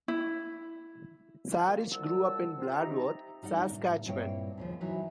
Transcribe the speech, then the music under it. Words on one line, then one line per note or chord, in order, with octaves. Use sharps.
Sarich grew up in Bladworth, Saskatchewan.
E4
A#3 F4
C2 F3 G3 D4 F#5 E6
C4 F4
D#4 G4 E5 A#5
G3 D#4 D5 F#5
A2
G2 A#2 C4 E4 C#5 G5
D#2 C#3 F3
E3 F#3 D#4 E4